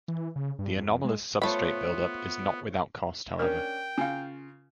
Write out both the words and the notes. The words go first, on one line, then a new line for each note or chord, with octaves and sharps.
The anomalous substrate buildup is not without cost, however.
E3
C#3
G2
F2
G#3
A3 B3 F4 C5 C#5 B5
C#4 D4 A#4 G5
C#3 F4 F5 G#5